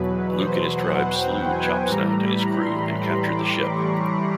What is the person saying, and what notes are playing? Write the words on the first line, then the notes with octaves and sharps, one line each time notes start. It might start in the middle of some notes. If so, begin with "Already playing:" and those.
Luke and his tribe slew Chopsnout and his crew and captured the ship.
Already playing: E2 B2 F#3 B4
C5
F#5
G5
G#5
A2 E3 G3 A#5
B5
C6
D6
C#6